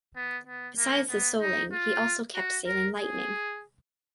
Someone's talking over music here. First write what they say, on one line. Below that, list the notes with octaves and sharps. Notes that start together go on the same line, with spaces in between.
Besides the Soling he also kept sailing Lightning.
B3
B3
A#3
B3
D#4
F4
F#4
A#4
G#4